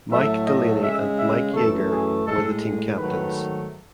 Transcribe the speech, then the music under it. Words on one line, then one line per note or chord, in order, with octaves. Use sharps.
Mike Delaney and Mike Yeager were the team captains.
A2 F#3 A3 E5
D#5
C#3 G#3 E5
E5
F#2 E3 A3 A4
G#4
A2 G#3 A4
G#2 D#3 F#3 A3 B4